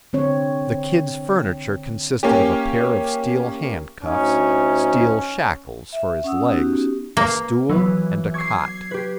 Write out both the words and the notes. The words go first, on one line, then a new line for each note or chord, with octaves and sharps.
The "Kid's" furniture consisted of a pair of steel hand-cuffs, steel shackles for his legs, a stool, and a cot.
D3 C4 C#5
A#3 C#4 G4
D2 C#4 D#4
E5
C#4 F#5 D#6 E6
B3 C#4 D#4 F#4 G4
A#3 B4 F5
E3 F#3 B3 B4
C#6 D6 E6 G#6 C7
G4 B4